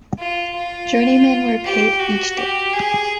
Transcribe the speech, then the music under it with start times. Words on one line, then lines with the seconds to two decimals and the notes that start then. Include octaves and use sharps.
Journeymen were paid each day.
0.18 F4
0.55 F4
1.64 G4
2.00 F#4
2.37 G4
2.73 G#4